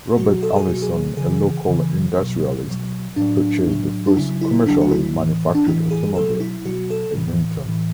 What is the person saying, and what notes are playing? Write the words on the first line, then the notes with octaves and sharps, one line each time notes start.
Robert Allison a local industrialist, purchased the first commercially manufactured automobile, a Winton.
B2 F#3 F#4
A4
G#4
B2 F#3 F#4
G#4
C#3 E3 G#4
C#3 E3
B2 F#3
B2 F#3
A2 F#3 D4
A2 F#3
D4
C#3 F#3 E4
E4
C#3 F#3 D4
F#4
E4
A2 E3
D4
A2 E3 E4
G#4
B2 F#3 A4
E4
B2 F#3 F#4
A4
A2 E3
A2 E3